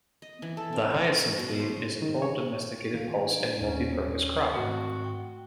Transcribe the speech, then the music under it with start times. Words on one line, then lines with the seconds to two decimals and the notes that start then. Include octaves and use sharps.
The hyacinth bean is an old domesticated pulse and multi-purpose crop.
0.22 D#5
0.42 E3
0.57 A4
0.73 C4
0.90 C#6
1.12 F5
1.38 B2
1.60 C5
2.02 D#3
2.22 C#5
2.94 D#3 A3 C4 F5
3.28 D4 G#4 D5
3.60 D#2 A#2 C#4
4.53 G#2 D#3 A3 C4 F#4
5.04 G5